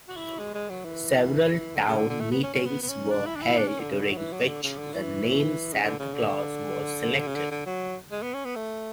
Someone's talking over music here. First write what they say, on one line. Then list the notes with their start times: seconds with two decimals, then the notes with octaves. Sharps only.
Several town meetings were held, during which the name "Santa Claus" was selected.
0.08 F#4
0.16 E4
0.39 G#3
0.55 G#3
0.69 F#3
0.85 E3
1.75 D3
1.87 C#3
1.97 D3
2.09 D3
2.20 A3
2.31 B3
2.43 C#4
2.54 C#4
2.66 B3
2.82 B3
2.89 C#4
3.11 D4
3.26 E4
3.36 D4
3.42 E4
3.57 D4
3.68 C#4
3.80 D3
3.91 C#3
4.02 D3
4.12 F#3
4.17 E3
4.33 F#3
4.48 D3
4.63 C#3
4.78 D3
4.93 E3
5.73 C#3
5.84 D3
5.99 C#3
6.14 D3
7.27 C#3
7.36 D3
7.51 D3
7.66 F#3
8.11 G#3
8.23 B3
8.34 C#4
8.45 B3
8.56 A3